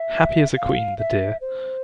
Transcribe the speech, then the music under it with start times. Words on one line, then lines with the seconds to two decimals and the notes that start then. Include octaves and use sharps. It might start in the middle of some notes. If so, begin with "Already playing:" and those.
Happy as a queen, the dear!
Already playing: E5
0.56 F5
0.99 E5
1.41 C5